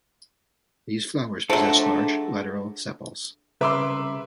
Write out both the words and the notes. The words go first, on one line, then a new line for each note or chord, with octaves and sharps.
These flowers possess large lateral sepals.
F3 F#3 D4 G#4 A4 E5 A5 A#6
C2 C#3 A#4 B4 E5 C6 D6 E6